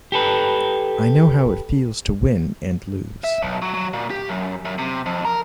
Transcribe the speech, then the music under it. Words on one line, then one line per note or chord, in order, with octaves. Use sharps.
I know how it feels to win and lose.
G4 A4 B4
E5
B1
F#3
F#3
A#2
G4
F#2
F#2
C3
F2
A#4